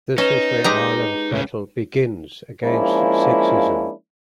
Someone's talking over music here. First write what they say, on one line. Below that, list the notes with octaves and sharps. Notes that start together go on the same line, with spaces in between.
This is where Ahlem's battle begins against sexism.
C#4 D#4 B4 E7
G#3 G4 A#5
C#2 C#3
F3 G#3 A#3 C#4 D4 E4